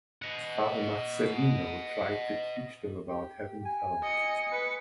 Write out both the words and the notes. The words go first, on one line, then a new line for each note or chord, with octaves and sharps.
Father Marcellino tried to teach them about Heaven and Hell.
D#5 F#5
G4
G#5
D#5 C#7
B4 C#7